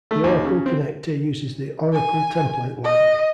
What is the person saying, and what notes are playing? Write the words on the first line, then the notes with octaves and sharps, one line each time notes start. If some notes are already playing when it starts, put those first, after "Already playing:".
The Oracle connector uses the Oracle Template Library.
A3
D#2
C#3
C4
G#5
D#5